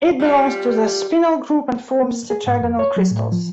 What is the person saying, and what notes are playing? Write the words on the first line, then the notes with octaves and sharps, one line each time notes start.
It belongs to the spinel group and forms tetragonal crystals.
G3 F4
A#3
G#4
G#2
F2
C#5
F#3
A2
F3